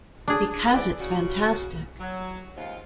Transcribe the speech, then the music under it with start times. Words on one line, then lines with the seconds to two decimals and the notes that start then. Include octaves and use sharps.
Because it's fantastic.
0.28 D4 G#4
0.74 E3 D5
1.00 C#3 F#4
2.00 F#3
2.57 D#2 G#2 F4